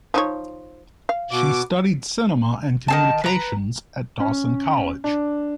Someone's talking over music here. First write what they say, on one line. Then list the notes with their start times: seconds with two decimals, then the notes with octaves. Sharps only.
She studied Cinema and Communications at Dawson College.
0.14 F3 D#4 C#5
1.09 F5
1.31 B2 D6
2.88 D#3 C4 A5
3.24 B4 A#5
4.20 C#4
5.04 D4